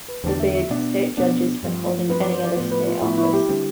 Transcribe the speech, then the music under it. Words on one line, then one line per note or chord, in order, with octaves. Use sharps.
Forbade state judges from holding any other state office.
B4
E2 D3 A3 D4 C5
E5
E5
B2 B3 D4 D5
B2 B3 D4 D5
G2 F3 C4
G2 F3 C4 B4
D5
C5
D5
A2 F3 B3 C5
B4
F4
A2 F3 B3 E4
E4
G4
D3 G3 C4